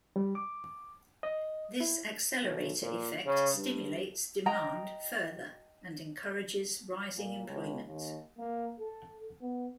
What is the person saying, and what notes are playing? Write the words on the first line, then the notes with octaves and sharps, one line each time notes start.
This accelerator effect stimulates demand further and encourages rising employment.
G3
D6
D#5
E4
B1
A#2
C#3
G2
D#5 G5 A#5
A#2
C#2
D#2
A#3
A4
B3